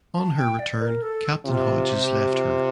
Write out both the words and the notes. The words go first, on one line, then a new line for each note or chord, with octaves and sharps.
On her return Captain Hodges left her.
A5
G5
D5
A#4
A4
C3 F4
G4
F4